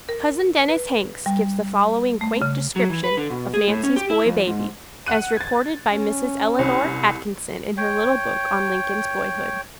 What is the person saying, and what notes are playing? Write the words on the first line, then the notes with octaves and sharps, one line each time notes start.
Cousin Dennis Hanks gives the following quaint description of "Nancy's boy baby," as reported by Mrs. Eleanor Atkinson in her little book on "Lincoln's Boyhood."
A#4
B4
G3
A3
C#3
F#3
E3
B4
D3
B2
G#4
A2
C#4
G4
E4
F2
G#2
F#5 F#6 D#7
G#6 A6
C#4
C2
C#5 G5